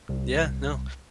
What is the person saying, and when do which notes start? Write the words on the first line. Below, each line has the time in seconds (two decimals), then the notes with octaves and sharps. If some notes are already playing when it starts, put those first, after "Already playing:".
Yeah. No.
0.09 C2